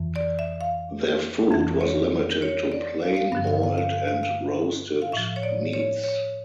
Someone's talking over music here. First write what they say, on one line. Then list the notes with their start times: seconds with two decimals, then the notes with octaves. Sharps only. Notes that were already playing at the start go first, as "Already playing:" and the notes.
Their food was limited to plain boiled and roasted meats.
Already playing: F2 E3
0.16 D5
0.39 E5
0.61 F5
1.51 F2 E3 E5
1.81 C#5
2.30 A#4
2.42 C#5
2.72 D5
3.02 F5
3.17 F5
3.32 G2 F5
3.35 D3 F3
3.47 F5
3.63 F5
3.78 F5
3.93 F5
4.08 F5
4.23 F5
5.02 F5
5.12 A2 F3 E5
5.36 C#5
5.43 D5
5.73 C#5
6.04 C#5